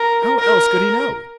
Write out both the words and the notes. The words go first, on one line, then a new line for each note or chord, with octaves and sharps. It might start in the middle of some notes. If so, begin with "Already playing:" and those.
How else could he know?
Already playing: A#4
A#4